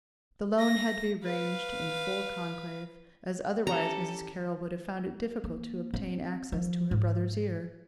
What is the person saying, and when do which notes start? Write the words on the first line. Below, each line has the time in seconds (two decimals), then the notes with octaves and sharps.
The loan had to be arranged in full conclave, as otherwise Mrs. Carroll would have found it difficult to obtain access to her brother's ear.
0.58 A#6
1.24 B4 F5
3.67 E3 C#4 G4 A4 A#5
5.44 A#3
5.94 C4
6.52 F3
6.91 G#2